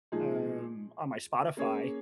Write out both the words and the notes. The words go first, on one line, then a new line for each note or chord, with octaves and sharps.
um, on my Spotify,
A#2 F3 G#3 D#4 G#4
A#3 C#4 G#4 C#5